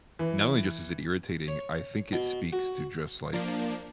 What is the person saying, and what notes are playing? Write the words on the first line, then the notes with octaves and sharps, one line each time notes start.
not only just is it irritating, I think it speaks to just like
E3
C#5
B2
F#4
F3 A#3 D4